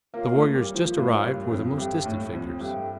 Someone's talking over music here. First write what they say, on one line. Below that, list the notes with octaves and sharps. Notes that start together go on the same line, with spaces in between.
The warriors just arrived were the most distant figures.
A#3 F4 A#4 C#5 F5
A3
G3
F3
A2 F4 A#4 C#5 F5
G2
F2
G2 A4 E5 G5
A2
F2
G2 A4 E5 G5